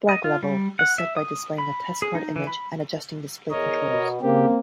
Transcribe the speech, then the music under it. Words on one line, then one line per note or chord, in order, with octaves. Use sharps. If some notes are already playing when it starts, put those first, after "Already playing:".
Black level is set by displaying a testcard image and adjusting display controls.
D#5
F4
G3
F#5
E5
D#6
B5
G#4
D#4
E3
B5
E2 A#4 C#5 D#5
B2
C#3 A#3 C4 G4